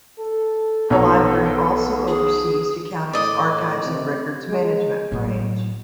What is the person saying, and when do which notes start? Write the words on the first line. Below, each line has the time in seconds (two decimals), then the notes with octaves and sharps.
The library also oversees the county's Archives and Records Management Branch.
0.18 A4
0.90 B1 B3 A4 C#5 A#5
2.08 G#4
3.13 A2 D5 D#5
3.83 C3
4.50 G#3
5.12 A2 F#3